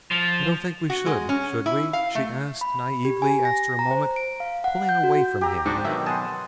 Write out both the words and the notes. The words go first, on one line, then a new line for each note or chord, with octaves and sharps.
"I don't think we should, should we?" she asked, naively, after a moment, pulling away from him.
F3
F#4
G#3
C#4
E4
F5
A3
B5
G4
G#5
A#6
A#5
C5
D7
F5
F#5
G6
F#4
G4 A#5 E6
G#2 C4 D4 F#4
B2 D#3 F#3 E5
D#5 F#5 G#5 A5 C6